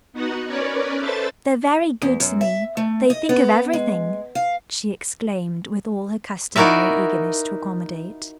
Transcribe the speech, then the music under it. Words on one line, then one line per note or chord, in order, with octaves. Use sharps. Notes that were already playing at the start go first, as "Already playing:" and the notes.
"They're very good to me--they think of everything!" she exclaimed with all her customary eagerness to accommodate.
B3 D#4 F#4 F#5
C#4 A#4 B4 C#5 D5
A4 B4 C5 E5 A6
E2
F#2
E5
A3
D#5
B3
G#3
F5
D#4 E4 F#4 A#4 D5 E5